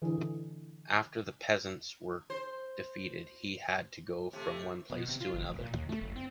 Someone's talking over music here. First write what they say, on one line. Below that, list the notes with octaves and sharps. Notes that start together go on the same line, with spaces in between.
After the peasants were defeated, he had to go from one place to another.
D3 E3 G#4
C5
C3 A3
B2
C3
F4
G1
F1
A#2
D#2
A3
F#1
C4